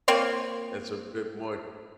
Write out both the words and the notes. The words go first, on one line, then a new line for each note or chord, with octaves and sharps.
that's a bit much,
A#3 C4 F4 C#5